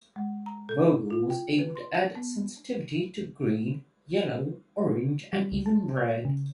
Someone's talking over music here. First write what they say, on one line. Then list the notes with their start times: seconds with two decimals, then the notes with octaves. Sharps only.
Vogel was able to add sensitivity to green, yellow, orange and even red.
0.16 G#3
0.46 A#5
0.69 A4
0.84 E4
1.10 F4
1.30 G5
1.59 B4
1.76 C6
1.95 A5
2.15 B3
5.33 G3
5.52 C#2
5.66 A5
5.97 C#5
6.25 C#3